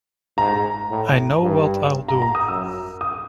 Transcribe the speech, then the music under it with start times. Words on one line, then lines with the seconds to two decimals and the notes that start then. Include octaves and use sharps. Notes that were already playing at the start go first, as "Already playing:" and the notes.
I know what I'll do.
0.38 G#2 A#5
0.90 A2
1.43 G2
2.08 A#5
2.22 A#5
2.35 D#6
2.48 F#2 E6
3.01 D#6